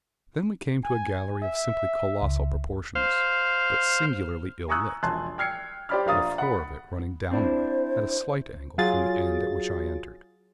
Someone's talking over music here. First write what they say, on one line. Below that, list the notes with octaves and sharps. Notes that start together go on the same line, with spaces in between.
Then we came to a gallery of simply colossal proportions, but singularly ill-lit, the floor of it running downward at a slight angle from the end at which I entered.
G#5
E5
C#2
C5 F5
G#5 A#5 C#6 D#6 E6 F#6
E1 A#1 G#5 A5 C6 F#6
G5 E6 F6 G#6 C7 C#7
G4 C5 D5 B5 F6
A#1 A#4 F5 D#6 A6
F#5 B5
C4 D4 E4 C5
F#3 F4 G#4 A6